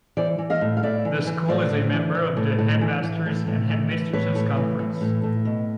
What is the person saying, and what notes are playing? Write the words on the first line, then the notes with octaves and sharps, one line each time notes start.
The school is a member of the Headmasters' and Headmistresses' Conference.
E3 C5 D5
E3
D#5 F5
A2
F5
A2 D5 E5
E3
E3
A2 C5 D5
A2
E3
E3
A2
A2
E3
E3
A2
A2
E3
E3
A2 B4 C#5
A2
E3
E3
A2
A2
B2